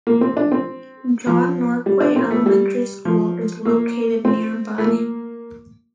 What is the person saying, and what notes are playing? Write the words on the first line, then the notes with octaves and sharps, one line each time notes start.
John Norquay Elementary School is located nearby.
A#3
C4
D4
C4
F3
G3
D4
C4
A3
G3
F3
A#3
C4
A3
A#3